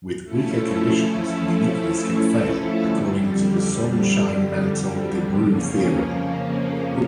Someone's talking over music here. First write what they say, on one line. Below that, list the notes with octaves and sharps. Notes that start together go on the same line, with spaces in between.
With weaker conditions, uniqueness can fail, according to the Sonnenschein-Mantel-Debreu theorem.
F3 A3 C#4 E4 A4
F2 D3 G3
F2 C#3 F3 A#3 C#4